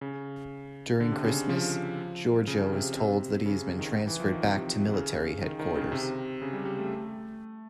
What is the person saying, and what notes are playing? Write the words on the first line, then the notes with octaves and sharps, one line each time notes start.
During Christmas, Giorgio is told that he has been transferred back to military headquarters.
C#3
D3
C3
C#3
F3
C#3
C3
C3
C#3
D#3
E3
F3
D#3
C3
C#3
D#3
D#3
C#3
C3
C#3
G3
G3
A3